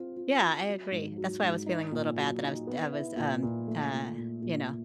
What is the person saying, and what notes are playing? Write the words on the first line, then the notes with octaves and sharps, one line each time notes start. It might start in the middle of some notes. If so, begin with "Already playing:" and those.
Yeah, I agree, that's why I was feeling a little bad that I was d I was, um, uh, you know,
Already playing: C4 F4
F4
F4
F#3
G#2
F#3
G#2
D#4
A#2
F#3
D#4
B3
E4
A#2
A#2
A3
A#2
A#2
A#2